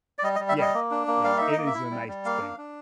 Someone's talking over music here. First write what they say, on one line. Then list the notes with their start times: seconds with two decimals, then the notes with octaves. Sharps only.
Yeah. Yeah, it is a nice thing.
0.19 D5
0.23 G3 D#5
0.36 D#5
0.40 G3
0.49 E5
0.58 G3 D#5
0.74 A#3
0.91 D4
1.07 A#3
1.24 G3 F5
1.38 D#4 E5
1.52 D#5
1.57 A#3
1.66 E5
1.74 E4
1.91 G3
2.08 G3
2.25 A#3 F5
2.42 D4
2.58 D4